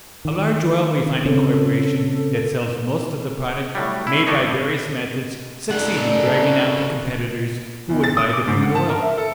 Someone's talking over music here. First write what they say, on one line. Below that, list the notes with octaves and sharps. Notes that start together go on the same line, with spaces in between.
A large oil-refining corporation that sells most of the product may by various methods succeed in driving out the competitors who would buy the crude oil.
D#3
C#3 C4 C#4 A4
A2 F#3 G3
E4
D4 G4 A4 C#5 D#5
F#2 A#2 C#3 D#4 A4 D5 F#5
E2
A6
D#6
D6
G#2
F#5
A5
A#4
E5
A4